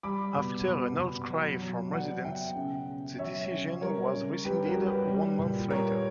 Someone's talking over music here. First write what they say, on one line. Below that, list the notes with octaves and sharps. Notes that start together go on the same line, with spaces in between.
After an outcry from residents, the decision was rescinded one month later.
G3 B5 D6
B2
B2
B2
F#3
F#3
F#3 D5 F#5
B2 E5 G5
C#3
C#3
F#3 C#5 E5
C#3
G3 A#4 C#5
C#3
G3 G4 B4
F#4 A#4
G3
G4 B4
G3
A#2
G3 A#4 C#5